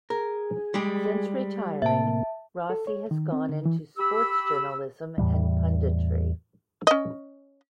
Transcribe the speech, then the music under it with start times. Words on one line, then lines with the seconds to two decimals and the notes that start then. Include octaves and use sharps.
Since retiring, Rossi has gone into sports journalism and punditry.
0.10 G#4 A#4
0.74 G3 G#3 G4
1.82 A2 C3 A#3 E5 A5
2.70 A4
2.87 C#5
3.11 D#3
3.32 C4
3.49 D3
3.66 E3
3.98 G4 B5 E6
5.18 E2 A2 E3 G3
6.87 C#4 D#5